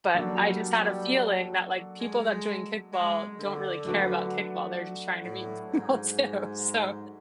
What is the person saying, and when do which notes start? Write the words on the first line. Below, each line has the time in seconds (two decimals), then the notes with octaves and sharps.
but I just had a feeling that, like, people that join kickball don't really care about kickball, they're just trying to meet people, too, so
0.15 F#3 G3 A#3 D4 F#4 A4
2.00 G#3
2.92 G#3
3.39 D3
3.85 F#3 A3 D4 F#4 B4
5.24 A2
5.71 G#2